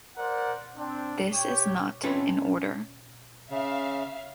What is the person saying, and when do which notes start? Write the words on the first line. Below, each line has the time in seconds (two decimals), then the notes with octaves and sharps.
This is not in order.
0.17 A#4 C5 D5 F#5
0.77 C4 D4
1.32 G4 C#5
2.03 C4 C#4 F4 A4 B4 C#5
3.50 C#3 E5 F5